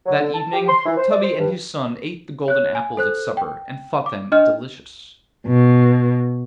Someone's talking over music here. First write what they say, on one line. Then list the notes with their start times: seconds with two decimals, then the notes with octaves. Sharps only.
That evening Tubby and his son ate the golden apples at supper, and thought them delicious.
0.06 F#3
0.20 D3
0.34 A5
0.53 G4
0.68 C6
0.86 E3
0.97 C5
1.11 D5
1.23 C5
1.38 G2
2.48 C#5 F#6
2.75 G#5
2.97 A4 C5 F#6
3.37 G5
4.06 D6
4.32 D4 D#5 F6
5.47 B2